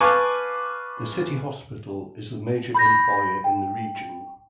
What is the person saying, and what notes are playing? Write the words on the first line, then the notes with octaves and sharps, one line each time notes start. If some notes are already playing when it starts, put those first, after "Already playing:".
The city hospital is the major employer in the region.
B4 F5 G#5 A5 C#6 D6
B5 G6 A#6
G5